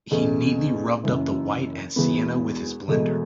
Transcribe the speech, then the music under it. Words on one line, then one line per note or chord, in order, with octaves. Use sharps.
He neatly rubbed up the white and sienna with his blender.
E2 B2 A3 C#4
F#1 F#2 E3
E1 E2 E3 B3
E1 E2 B2 A3